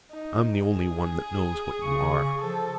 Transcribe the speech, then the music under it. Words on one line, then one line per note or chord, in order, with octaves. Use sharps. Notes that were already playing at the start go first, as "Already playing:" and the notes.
I'm the only one that knows what you are.
D#4
G#4
C#3 C#6
F3 A4